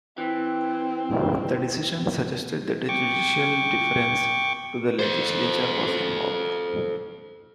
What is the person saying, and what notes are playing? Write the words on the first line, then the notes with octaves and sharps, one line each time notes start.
The decision suggested that a judicial deference to the legislature was involved.
E3 C4
G5 C#6 D6
A4 C5